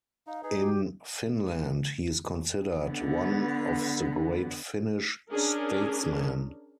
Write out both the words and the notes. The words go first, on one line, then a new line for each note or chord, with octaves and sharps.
In Finland, he is considered one of the great Finnish statesmen.
D#4 F5
D#4 G#4 B4
F#4 G4
D3 B3
C#4 D4 G#4 A#4